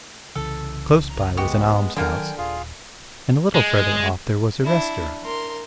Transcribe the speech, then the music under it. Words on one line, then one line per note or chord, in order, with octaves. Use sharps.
Close by was an almshouse, and a little further off there was a restaurant.
C2 C#3 E3 A4
A#5
G#3 B3 F#4 G4
D3 D#3 F#3 A#3 D4 A#4 G5 G#5
D#1 F4 G#4 F5
G#3
D4 E4
A#4 C6